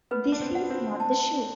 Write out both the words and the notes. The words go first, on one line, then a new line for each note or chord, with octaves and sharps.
This is not the shoe.
B3 B4
D4
C4
F#5
B3
C4
A5